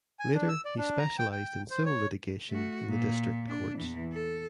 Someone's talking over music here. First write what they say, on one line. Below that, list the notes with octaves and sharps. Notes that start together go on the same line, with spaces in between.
Later he specialised in civil litigation in the District Courts.
G#5
D4
E6
D5
D4
A#5
G5
G5
C5
C#5
A3 F#4
A#2
D4
E2 E3
A4